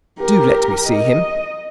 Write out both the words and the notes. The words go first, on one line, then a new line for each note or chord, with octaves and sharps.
Do let me see him.
G4 A#4
D#5